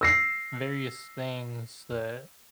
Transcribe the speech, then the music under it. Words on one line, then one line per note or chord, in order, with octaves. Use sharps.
various things that
E6 A#6 C7